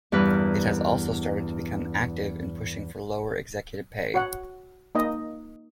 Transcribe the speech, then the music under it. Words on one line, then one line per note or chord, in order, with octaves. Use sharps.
It has also started to become active in pushing for lower executive pay.
E2 G2 A#4 B4
F#4 C#5 F#5
A#3 D#4 D#5